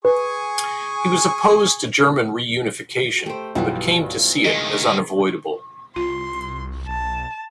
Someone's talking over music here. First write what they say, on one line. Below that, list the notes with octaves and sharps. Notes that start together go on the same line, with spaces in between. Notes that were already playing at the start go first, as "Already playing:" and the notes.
He was opposed to German reunification but came to see it as unavoidable.
G#4 B4 G#5 C#6
A3 G4 C5 G5
B1 G2 E3 F3 G3 B3 F4 F#4
D2 D#3 G#3 C#5 D#5
C2 F4 C6
B1 A5